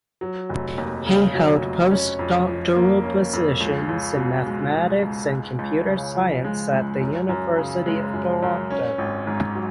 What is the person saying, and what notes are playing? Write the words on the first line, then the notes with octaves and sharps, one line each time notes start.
He held postdoctoral positions in mathematics and computer science at the University of Toronto.
F#3
F1
D#2
C#3
F#3
F1
C#4
F2
F3
A#3
C#4
F2
C#2
C#2
B2
G#3
C#2
C#2
G#3
C#2
C#3
F3
G#3
C#2
F#2
F#2
C#3
G#3
F#2
F#2
C#4
G#1
G#2
F#3